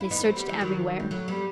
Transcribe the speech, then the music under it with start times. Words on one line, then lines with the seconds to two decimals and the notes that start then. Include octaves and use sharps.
They searched everywhere.
0.01 E4
0.11 B3 D#4
0.23 A3 C4
0.36 G3 B3
0.49 E3 G3
0.61 D#3 F#3
1.00 G3
1.11 F#3 A3
1.28 G3 B3